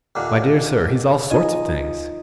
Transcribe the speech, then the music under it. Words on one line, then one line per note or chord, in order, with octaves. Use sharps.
'My dear sir, he's all sorts of things.'
D#2 A#2 D3
D#4 F4 D#5 G#5